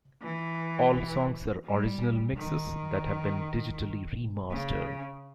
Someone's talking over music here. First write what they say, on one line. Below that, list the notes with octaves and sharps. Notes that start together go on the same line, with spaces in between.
All songs are original mixes that have been digitally remastered.
E3
G3
D#3
C#3